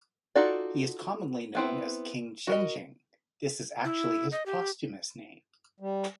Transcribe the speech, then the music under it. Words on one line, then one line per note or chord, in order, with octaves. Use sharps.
He is commonly known as King Shenjing; this was actually his posthumous name.
D#4 F4 F#4 A4 D5
B3 C4 E4
F#4 A#4 D#5
E4
D#5
G4
G3